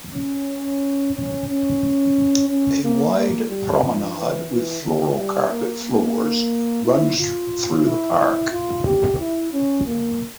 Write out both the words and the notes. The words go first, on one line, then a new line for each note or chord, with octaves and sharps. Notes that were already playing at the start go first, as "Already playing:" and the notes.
A wide promenade with floral carpet floors runs through the park.
C#4
C#4
C#4
C#4
A#3
A#3
G3
F3
E3
E3
D3
G3
A#3
A#3
E4
F4
E4
E4
F4
G4
E4
C#4
A#3